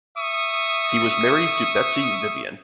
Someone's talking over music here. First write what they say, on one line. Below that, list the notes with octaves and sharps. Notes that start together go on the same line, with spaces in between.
He was married to Betsy Vivian.
E5 C#6 D#6